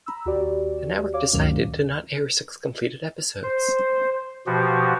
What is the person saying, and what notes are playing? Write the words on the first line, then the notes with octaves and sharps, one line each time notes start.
The network decided to not air six completed episodes.
A#5 B5 E6
D#2 F#4 G4 D5
C#5 F5 D6
D2 G2 A#2 D#3 F#3 C#4
C5
B2 F3 F#4 G4